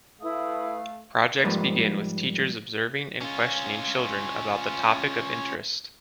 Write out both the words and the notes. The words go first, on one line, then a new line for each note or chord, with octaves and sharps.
Projects begin with teachers observing and questioning children about the topic of interest.
A3 E4 B4 F5 D#6
G#2 F3 G3 A#3 B4
C#4 F4